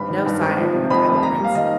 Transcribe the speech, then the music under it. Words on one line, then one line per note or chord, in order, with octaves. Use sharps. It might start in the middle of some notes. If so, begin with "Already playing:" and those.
'No, sire,' replied the Prince.
Already playing: G#1 G2 B5
D#3
G2
G#1
F3
C3
F2 B5
F1
A#3 A#5
G3
F5
D#3 D#5